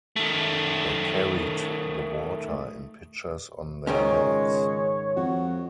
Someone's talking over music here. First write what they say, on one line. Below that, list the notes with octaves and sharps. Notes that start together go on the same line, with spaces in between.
They carried the water in pitchers on their heads.
D#3 A3
C#2 G#2 D#3 G#3 C#4 C#5
F2 F#4